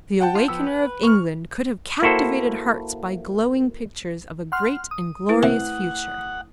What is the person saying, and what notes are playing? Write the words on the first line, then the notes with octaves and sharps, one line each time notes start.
The awakener of England could have captivated hearts by glowing pictures of a great and glorious future.
F#5 G5 A5
F4
F3 B3 E6
B4
C#6 F6
A#3 E4 F#4 A4 C5
F#5 C6 F6
D#6
A3 E4 B4
C3 F#5